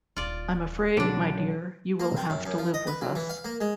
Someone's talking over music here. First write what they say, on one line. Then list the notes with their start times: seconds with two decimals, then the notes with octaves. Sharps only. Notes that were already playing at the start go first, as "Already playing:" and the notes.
I'm afraid, my dear, you will have to live with us.
0.16 D#1 D#4 F4 D5
0.97 B1 D3 F3 F#3 C#4 D4 D7
2.00 A#3
2.17 C4
2.30 F#2
2.46 F#2
2.58 F3
2.74 D#5
2.87 B4
3.01 F#3
3.15 E3
3.29 F5
3.45 A#3
3.61 G#3